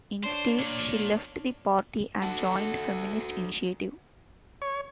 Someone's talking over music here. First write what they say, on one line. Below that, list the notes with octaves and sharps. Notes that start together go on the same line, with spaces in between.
Instead, she left the party and joined Feminist Initiative.
D4 C5 C#5
A#2
F#4 A4
C#5